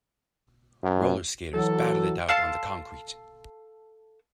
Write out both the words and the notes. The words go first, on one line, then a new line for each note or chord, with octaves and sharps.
RollerSkaters battle it out on the concrete.
F#2
E3 F#3 A4
A4 F5 A5 C6